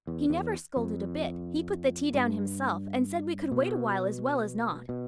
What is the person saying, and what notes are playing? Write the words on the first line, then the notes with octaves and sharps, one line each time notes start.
He never scolded a bit. He put the tea down himself and said we could wait awhile as well as not.
E2
E2
F2
G2
B2
B2